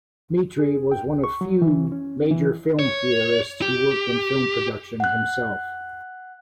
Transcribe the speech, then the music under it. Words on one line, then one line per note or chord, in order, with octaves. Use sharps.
Mitry was one of few major film theorists who worked in film production himself.
G#4
G5
C2
C#6
F#3
E3
C#4
E3
C#5
G4
F#5 F#6